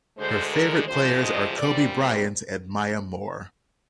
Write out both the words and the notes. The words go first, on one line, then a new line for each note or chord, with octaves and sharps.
Her favorite players are Kobe Bryant and Maya Moore.
D2 D3 G#3 C5
A#4
D2 C3 F3 G#3 C5
D#5
A#2 G3 C4 D5
C5